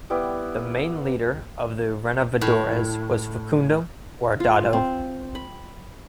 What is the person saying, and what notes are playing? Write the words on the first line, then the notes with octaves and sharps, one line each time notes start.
The main leader of the Renovadores was Facundo Guardado.
G3 B3 E4 D6
A2
F4
C4
B5